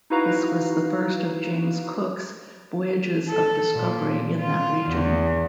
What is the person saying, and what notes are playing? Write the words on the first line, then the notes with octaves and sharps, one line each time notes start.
This was the first of James Cook's voyages of discovery in that region.
D#4 E4 F#4 B4 F5 A#5
A4
A#2
F4
E2